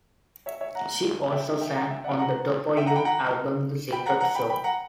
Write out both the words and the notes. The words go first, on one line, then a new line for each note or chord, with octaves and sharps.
She also sang on the Dopo Yume album "The Secret Show".
C#5 E5
C#5 E5
F#5 A#5
E5 G5
E5 G5
F#5 A#5
E5 G5
D5 F#5
F#5 A#5
E5 G5
F#5 A#5
G5 B5
F#5 A#5
G5 B5
F#5 A#5
F#5 A#5
G5 B5
G5 B5
F#5 A#5